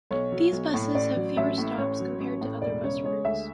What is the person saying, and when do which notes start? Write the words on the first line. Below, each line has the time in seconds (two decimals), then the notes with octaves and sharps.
These buses have fewer stops compared to other bus routes.
0.11 B1 C#5
0.32 F#3
0.52 B1
0.74 A2
0.94 A1 D5
1.16 F#3
1.36 A1 E5
1.58 A2
1.78 A1 C#5
2.00 F#3
2.20 A1
2.41 A2
2.62 E1 D5
2.83 C#3 C#5
3.04 G#3 C#5
3.25 D2 E5